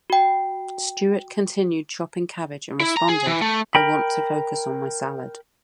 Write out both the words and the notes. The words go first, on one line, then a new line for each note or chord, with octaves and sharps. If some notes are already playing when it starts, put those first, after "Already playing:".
Stewart continued chopping cabbage and responded: I want to focus on my salad.
F#4 G5
E4
A#5
G#4
E3
A3
A#4 G5 B5